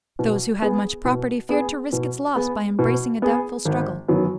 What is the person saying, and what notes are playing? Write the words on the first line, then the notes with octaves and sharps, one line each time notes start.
Those who had much property, feared to risk its loss by embracing a doubtful struggle.
B2
B3 G#4
B2
B3 G#4
B2
B3 G#4
B2
B3 G#4
G#1
F#2 D#3 F#3 B3